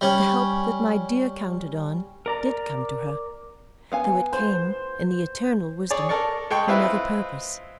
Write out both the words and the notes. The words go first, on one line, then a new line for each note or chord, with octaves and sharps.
The help that my dear counted on did come to her, though it came, in the eternal wisdom, for another purpose.
G3 C#4
A#4 D5 A#5
B3 F5 G#5
C5
G#4 C#5 D5
A4 A#4 D5 C#6
G#3 A4 G5 C#6
G#3 C4 E4 F4 B4 E5